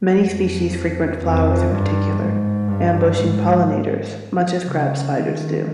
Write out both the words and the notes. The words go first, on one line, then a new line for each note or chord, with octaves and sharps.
Many species frequent flowers in particular, ambushing pollinators, much as crab spiders do.
F2
F2
G2
G#2
G2
G#2
C#3
D#3